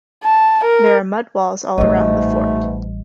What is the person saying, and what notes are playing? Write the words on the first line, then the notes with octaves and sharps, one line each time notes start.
There are mud walls all around the fort.
A5
A#4
A1 G#2 B2 G3 A3 D#5